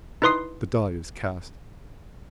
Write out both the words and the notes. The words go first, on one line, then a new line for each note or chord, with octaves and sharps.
The die is cast.
D#4 E4 B4 C6 D#6 C7